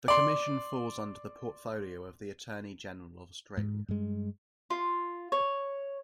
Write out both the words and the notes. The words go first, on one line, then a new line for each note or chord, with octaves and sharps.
The Commission falls under the portfolio of the Attorney-General of Australia.
D5 C6
G#2
G2 G#3
F4
C#5